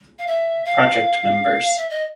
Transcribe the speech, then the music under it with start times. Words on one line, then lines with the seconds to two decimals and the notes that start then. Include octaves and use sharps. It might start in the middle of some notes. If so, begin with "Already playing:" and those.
Project members.
0.19 F5
0.27 E5
0.65 F5
1.77 E5
1.90 D#5